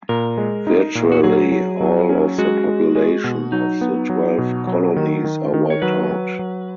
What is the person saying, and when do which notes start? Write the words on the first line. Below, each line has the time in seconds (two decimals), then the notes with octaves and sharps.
Virtually all of the population of the Twelve Colonies are wiped out.
0.09 A#2 A#4
0.38 G#3
0.67 D#4
0.95 A#2
1.12 F#4
1.23 F#3 G#4
1.52 F#3
1.81 F#3
2.09 C#4
2.38 G#3 F#4
2.67 G#3
2.95 G#3
3.24 B2
3.52 F#3 D#4
3.81 B3
4.09 F#3
4.38 B2
4.67 F#3
4.96 D#3
5.24 D#3
5.54 D#3
5.70 C#5
5.82 F#3 B4
6.11 F#3
6.39 F#3